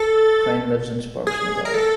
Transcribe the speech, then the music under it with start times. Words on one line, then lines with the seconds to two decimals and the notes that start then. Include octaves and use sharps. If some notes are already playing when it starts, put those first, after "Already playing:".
Crane lives in Sparks, Nevada.
Already playing: A4
1.27 G#4
1.65 A#4
1.74 A4